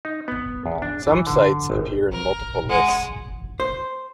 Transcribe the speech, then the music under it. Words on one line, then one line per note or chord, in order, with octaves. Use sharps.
Some sites appear in multiple lists.
D#4
B3
E2
D4
E3
D3
G#1
A#4
G#3 F#5
C5